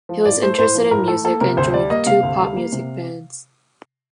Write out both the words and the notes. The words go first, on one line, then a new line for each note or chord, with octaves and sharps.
He was interested in music and joined two pop music bands.
F3
A2 D5
A3 C5
A2 C5
F3
A2 A#4
A3 A4
A#3 A4
C3 A#4
D2 C5
G3 D5
A#3 D#5
C3 F5
D2
G3
A#3
C3